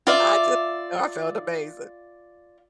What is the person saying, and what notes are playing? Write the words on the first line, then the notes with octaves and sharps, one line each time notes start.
I just I felt amazing.
F4 D5 E5